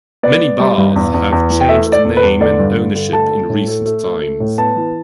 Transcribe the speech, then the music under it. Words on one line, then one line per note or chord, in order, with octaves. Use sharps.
Many bars have changed name and ownership in recent times.
B3 D5
B3
G3
G2
E2
E2
E2
E3
G5
A3 E5
A3
D5
E2
B4
E2
D3 D5
G2
G2
D3
A3 A5
A3
A2
A3
A3
A3
A3
A2
B3 A5
E3